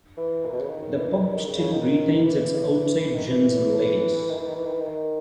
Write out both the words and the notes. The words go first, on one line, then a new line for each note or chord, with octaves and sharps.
The pub still retains its outside gents' and ladies'.
E3
A#2
B2
C#3
D#3
E3
E3
D#3
D#3
C#3
C#3
D#3
D#3
E3
D#3
E3
D#3
E3
D#3
E3
D#3
E3
D#3